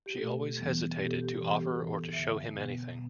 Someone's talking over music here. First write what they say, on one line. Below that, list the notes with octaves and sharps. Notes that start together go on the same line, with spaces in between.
She always hesitated to offer or to show him anything.
G4
B2 A3 A4
E2 E3 G3 B3
B2 B3 G4
A4
G4
A2 E3 G3 B3 A4
G4
E2 E3 B3 A4
E2 D3 B3 E5
B2 B3
B2 G3 B3